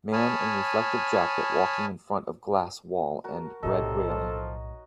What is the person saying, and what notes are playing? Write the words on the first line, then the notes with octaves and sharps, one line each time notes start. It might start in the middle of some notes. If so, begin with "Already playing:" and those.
Man in reflective jacket walking in front of glass wall and red railing.
C#5 G#5 A5 B5 D#6 F6
F#4 A#4 A5
B1 A2 C3 D#4 A4 C#5 D#5
F3